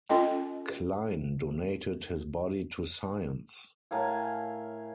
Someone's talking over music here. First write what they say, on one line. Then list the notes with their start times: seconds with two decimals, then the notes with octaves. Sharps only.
Klein donated his body to science.
0.09 C#4 F4 A4 D#5 G5
3.91 A2 A#4 F5 G#5